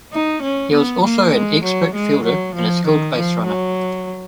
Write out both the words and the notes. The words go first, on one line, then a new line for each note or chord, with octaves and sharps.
He was also an expert fielder and a skilled baserunner.
D#4
C#4
B3
A#3
G#3
F#3
G#3
F#3
F3
D#3
F3
F#3